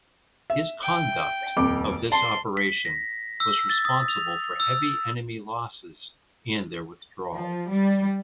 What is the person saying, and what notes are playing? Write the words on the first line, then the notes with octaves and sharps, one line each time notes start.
His conduct of this operation was responsible for heavy enemy losses and their withdrawal.
E5
G5
D#1 F2 D6
A5 C6
B6
A#6
E6
A6
D#6
F7
E6
F3
G3